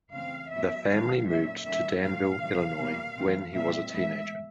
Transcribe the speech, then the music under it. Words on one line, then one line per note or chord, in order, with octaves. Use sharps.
The family moved to Danville, Illinois when he was a teenager.
C#3 E3 A3 C4 F5
A2 F#3 B3 E5
D#3 G3 C4 F5
A#2 F#3 A#3 C#4 E5
D#3 G3 A#3 C#4 E5
A2 F#3 A3 C4 F5
C3 D#3 F#3
B2 G3 A#3
E3 A3 C4
A#2 G3 C4 E5
A2 E3 G#3 B3 E5